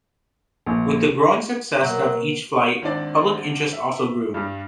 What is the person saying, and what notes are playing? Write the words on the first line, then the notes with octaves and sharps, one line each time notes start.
With the growing success of each flight, public interest also grew.
A#1
B2 F#3 A#3
G#1 C4 D4 D5 A6
E5
G2 G3